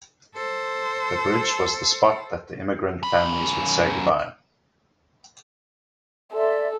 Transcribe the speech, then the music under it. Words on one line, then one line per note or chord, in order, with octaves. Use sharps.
The bridge was the spot that the emigrants families would say goodbye.
A4 C5
F#2 B5
A4 D5 E5 C6